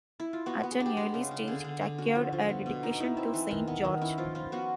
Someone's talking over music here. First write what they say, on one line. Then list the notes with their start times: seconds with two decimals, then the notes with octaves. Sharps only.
At an early stage it acquired a dedication to Saint George.
0.20 E4
0.33 F4
0.46 B3 F#4
0.63 B3
0.71 G#4
0.80 D4
0.86 G4
0.97 G#3 G#4
1.14 C#3
1.31 C#3
1.47 D3 G#4
1.64 D3
1.81 D3
1.98 C#4 F#4
2.15 F3
2.33 F3
2.49 B3
2.66 B2
2.83 D#4
3.00 D#4 E4
3.17 C4
3.34 E3
3.51 D#3
3.67 B3
3.85 D#3
4.01 C#4 E4
4.18 F3 F4
4.35 F3 F4
4.52 B3 F#4